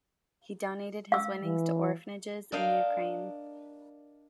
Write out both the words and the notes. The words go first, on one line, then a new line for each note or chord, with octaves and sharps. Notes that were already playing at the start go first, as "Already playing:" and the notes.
He donated his winnings to orphanages in Ukraine.
F5 E6
E3
D4 A#4 D#5 F5 G5